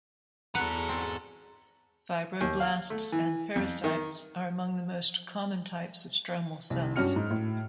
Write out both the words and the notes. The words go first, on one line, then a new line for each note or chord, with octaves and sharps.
Fibroblasts and pericytes are among the most common types of stromal cells.
E2 F#4 G#4 A4 B4 F#5 A#5
C4
D#2
F5
A3
E3
F2
D#3
C2
G2 C#4 F#4 F6 C#7
G#2
A2